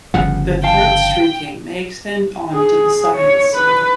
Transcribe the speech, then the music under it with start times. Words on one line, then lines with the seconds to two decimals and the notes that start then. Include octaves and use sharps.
The throat streaking may extend on to the sides.
0.14 G1 C#3 F3 F#5
0.64 F5 G5 A5
2.54 G#4
3.16 C#5
3.56 B4